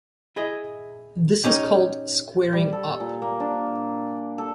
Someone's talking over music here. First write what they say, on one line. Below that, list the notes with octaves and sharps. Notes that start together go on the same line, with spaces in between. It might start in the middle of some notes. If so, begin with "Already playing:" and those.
This is called squaring up.
E4 G#4 D#5
C#4 D#4 G4
G3
A4
A#2
A#3
D4
A4